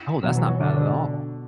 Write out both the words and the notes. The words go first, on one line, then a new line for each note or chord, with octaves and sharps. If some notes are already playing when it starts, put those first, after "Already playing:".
Oh, that's not bad at all.
B2 F#3
E3
F#3
D3